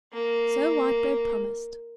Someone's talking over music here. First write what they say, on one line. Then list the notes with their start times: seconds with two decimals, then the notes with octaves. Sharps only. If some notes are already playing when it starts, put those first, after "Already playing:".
So Whitebird promised.
0.13 A#3